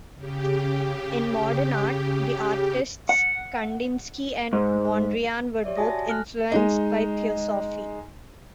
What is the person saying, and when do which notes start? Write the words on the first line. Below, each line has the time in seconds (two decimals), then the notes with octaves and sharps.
In Modern Art, the artists Kandinsky and Mondriaan were both influenced by theosophy.
0.15 C#3 G4
3.09 F#5
4.53 G#2
5.64 G4 C#5 D5 E5
5.77 F#4 F#5 G#5 A5 D#6 A#6
5.90 A#6
6.07 A4 G#5 F6 F#6
6.52 G#3 D#4 D#5